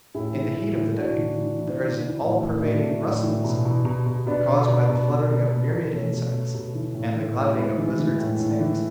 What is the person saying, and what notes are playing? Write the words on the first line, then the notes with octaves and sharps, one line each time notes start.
In the heat of the day there is an all-pervading rustling sound, caused by the fluttering of myriad insects and the gliding of lizards and snakes.
A2 E4 G#4
E3
A2
E3
A2 D4 F#4
E3
E3
E3
E3
E3
A2
A2
A2 D4 F#4
A2
A2
E3
B2
B2
B2
B2
B2 B3 D4
B2
B2
B2
B2
B2
B2
B2
B2 A3 C#4
B2
B2
B2
E3
A2
E3
A2
A2 G#3 B3
E3
E3
A2
A2
E3